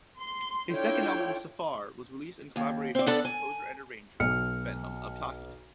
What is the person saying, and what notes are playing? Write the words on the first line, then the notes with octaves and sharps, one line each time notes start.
His second album "Safar" was released in collaboration with composer and arranger Behnam Abtahi.
C6
D4 E4 F4 A4 C#5 G5
D#2
C4 D5
B3 D4 A4
G#5
B1 F6 C#7